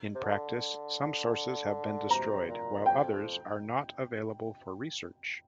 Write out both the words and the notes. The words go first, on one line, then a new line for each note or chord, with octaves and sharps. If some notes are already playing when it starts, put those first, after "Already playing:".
In practice some sources have been destroyed, while others are not available for research.
C3
D3
C3 A#5
A#2
F2 G5
F2